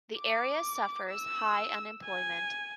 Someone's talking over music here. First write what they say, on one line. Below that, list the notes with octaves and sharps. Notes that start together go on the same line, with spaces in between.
The area suffers high unemployment.
D6
E6
G#5